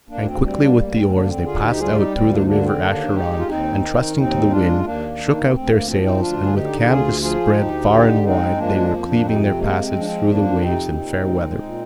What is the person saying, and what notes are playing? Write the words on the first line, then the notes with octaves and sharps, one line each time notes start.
And quickly with the oars they passed out through the river Acheron and, trusting to the wind, shook out their sails, and with canvas spread far and wide they were cleaving their passage through the waves in fair weather.
D2 A#3 D4
C4
G3 C4
A#3 D4
D2 A#3
C4
D3 A#3 D4
C4
D2 F4 G#4
D#4 G4
G3 F4 G#4
D#4 G4
D2 C4
A#3 D4
D#4
D3 A#3 D4
C4
D#2 A#3 D4
G#3 D#4 G4
F4
D#2 C4 D#4
D#3
D#2 C4 D#4
G#3 D4 F4
D#2 A#3 D4
D#3
D#4
D4
D2 C4
A#3
F3 C4
C4 D#4
D2 D4 F4
G#4
D3 D#4 G4
G4
D2 F4 G#4
F3 F4 G#4
D2 D#4 G4
D3 D#4 G4
G#3 C4 D#4
F3 A#3 D4
F2 A#3
A#3 D4
C3 C4 D#4
C4
G#3 A#3
C4
F3
D4
C4
F2 A#3 D4
C3 C4 D#4
A#2
G#3
A#2